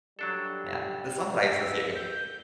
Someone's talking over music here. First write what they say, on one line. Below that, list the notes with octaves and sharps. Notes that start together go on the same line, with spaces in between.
yeah, the song that I associate with
F#3 G3 D4 A4
E6
G6